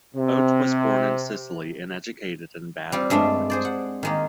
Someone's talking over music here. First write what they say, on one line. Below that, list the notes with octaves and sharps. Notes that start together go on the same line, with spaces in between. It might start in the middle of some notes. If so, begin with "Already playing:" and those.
Oates was born in Sicily and educated in Bath, England.
C3
G3 C4 F4
G2 G#3 A3 D4
G#4 C5 D5
F#5
D#3 G#3 A#3